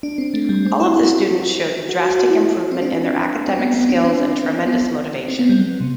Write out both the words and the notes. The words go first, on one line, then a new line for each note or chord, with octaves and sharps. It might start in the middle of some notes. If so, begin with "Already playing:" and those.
All of the students showed drastic improvement in their academic skills and tremendous motivation.
D4
C4
A3
G3
C4
E4
F#4
F#4
F#4
F#4
E4
F#4
C4
D4
C4
B3
B3
D4
C4
B3
C4
B3
G3
F#3
C3